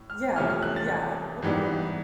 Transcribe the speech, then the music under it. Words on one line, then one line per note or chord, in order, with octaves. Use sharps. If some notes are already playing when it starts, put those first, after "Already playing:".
Yeah, yeah, okay.
Already playing: A2
F6
E2 C3 F3 A3 C#4 F6
F6
F#6
A6
G#2 E3 G3 B3 D4